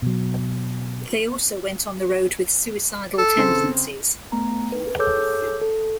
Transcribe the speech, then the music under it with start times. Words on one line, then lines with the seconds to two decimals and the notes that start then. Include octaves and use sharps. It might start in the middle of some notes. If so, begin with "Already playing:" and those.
They also went on the road with Suicidal Tendencies.
0.02 B2 F#3
3.18 A4
3.37 C#3 C4
4.32 A3 B3 A#5
4.72 B4
4.99 G#4 A4 C#5 D6 E6 G6
5.61 A4